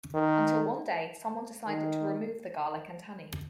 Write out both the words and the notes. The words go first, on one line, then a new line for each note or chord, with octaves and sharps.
Until one day someone decided to remove the garlic and honey.
D#3
D#3